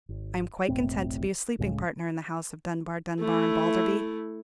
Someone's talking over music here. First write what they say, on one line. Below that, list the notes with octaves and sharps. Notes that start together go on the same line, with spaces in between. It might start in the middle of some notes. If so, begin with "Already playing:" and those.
I am quite content to be a sleeping-partner in the house of Dunbar, Dunbar, and Balderby.
G#1
E1 A1 A2 C4
C#2 A2 C#3 G#3
A3 E4